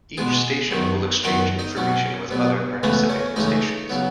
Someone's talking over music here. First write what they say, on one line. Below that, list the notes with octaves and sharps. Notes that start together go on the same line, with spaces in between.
Each station will exchange information with other participating stations.
B2 G#3 B3 G#4 G#5
F#2 D#3 F#3 B3
F#2 D#3 F#3 B3 F#4 F#5
D#4 D#5
B2 F#3 B3 C#4 C#5
B2 F#3 B3
C#2 C#3 E3 A3 B3 B4
C#4 C#5
C#2 C#3 E3 A3 D#4 D#5
C#3 F#3 B3